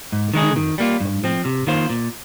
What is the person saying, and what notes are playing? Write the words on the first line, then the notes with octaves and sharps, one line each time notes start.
The humorist of the medical profession.
G#2
D#3 G#3 D#4 G#4
D#3
G3 A#3 F4
G2
F3 C4
C3
D#3 A#3 F4 C5
A#2